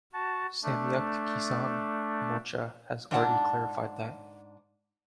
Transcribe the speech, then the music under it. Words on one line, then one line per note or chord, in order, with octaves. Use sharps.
Samyukt Kisan Morcha has already clarified that.
F#4 A5
A3 D4
G#2 D4 F#5 A5